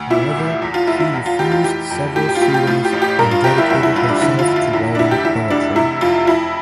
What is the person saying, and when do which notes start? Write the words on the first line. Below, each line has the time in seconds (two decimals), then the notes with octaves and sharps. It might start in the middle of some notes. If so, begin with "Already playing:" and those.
However, she refused several suitors and dedicated herself to writing poetry.
Already playing: D2
0.10 A#2 E4
0.36 C2
0.62 E2
0.74 F4
0.87 F1 E4
1.00 E4
1.13 E2
1.26 F4
1.39 F1 G4
1.52 F4
1.64 E3 G4
1.90 F2
2.16 A2 G4
2.29 G4
2.35 F4
2.41 A#1 G4
2.54 G4
2.67 A2 F4
2.85 G4
2.93 A1
3.02 G4
3.19 G2 A#4
3.31 F4
3.44 G1 G4
3.58 E4
3.70 E2 E4
3.83 E4
3.96 F1 F4
4.09 D4
4.22 D3 E4
4.39 F4
4.47 F2
4.56 F4
4.73 E2 E4
4.95 D4
4.99 F1 E4
5.11 G4
5.24 E2 E4
5.50 F1 D4
5.76 C3 E4
6.01 F2 F4
6.27 F2 E4